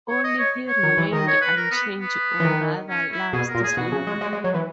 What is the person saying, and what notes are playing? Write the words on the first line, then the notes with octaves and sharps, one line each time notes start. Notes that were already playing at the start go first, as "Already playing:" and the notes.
Only he remained unchanged, or rather, lapsed slowly.
C#5
D#5
C#5
C#5
D#3
E3
D#3 D#5
C#5
B4
A#4
B3
B3
E3
D#3
C#4
E4
B2 G#4
A#4
A#2
G#4
B2 F#4
C#3
G#3
G#3
G#3
F#3
E3